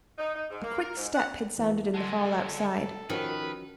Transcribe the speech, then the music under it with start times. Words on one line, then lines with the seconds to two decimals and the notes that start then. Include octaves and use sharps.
A quick step had sounded in the hall outside.
0.18 D#4
0.35 D#4
0.50 G#2
0.64 A#3
0.81 A#4
0.97 G#2
1.15 F#5
1.58 E2 E3 A#3
1.94 D3 G#3 A4 F#5 A5 C6
3.10 D#3 F3 C#4 F#4 B4